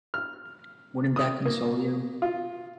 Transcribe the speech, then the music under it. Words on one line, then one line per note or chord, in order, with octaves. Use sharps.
Wouldn't that console you?
F6
D#6
A#3
F4